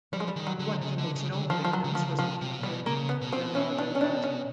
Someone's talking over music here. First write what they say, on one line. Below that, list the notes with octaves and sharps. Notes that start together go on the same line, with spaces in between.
One of the most known victims was the painter Bernardo Daddi.
F3 G3
G#3
G3
D#3
F#3
D3
C#3
D3
C#3
D3
D#3 F3
F3
F#3
C#3
D3
F3
C#3
C3 F3
C3
A#2
B2 G3
C#3 A#3
B3
B2
C4
C#4
D4
C#4
D4
C#4